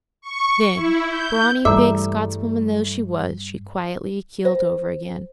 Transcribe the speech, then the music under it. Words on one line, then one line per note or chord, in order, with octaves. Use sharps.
Then, brawny, big Scotswoman though she was, she quietly keeled over again.
C#6
E4
G6
G2 E3 G3 A3 G#4 E5 A#5
C5